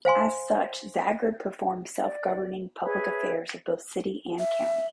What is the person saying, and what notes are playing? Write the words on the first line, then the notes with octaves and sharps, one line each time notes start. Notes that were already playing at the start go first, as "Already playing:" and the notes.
As such, Zagreb performs self-governing public affairs of both city and county.
C5 F5 G#5 C6
D5
G#4 B4 C#5 E5
E5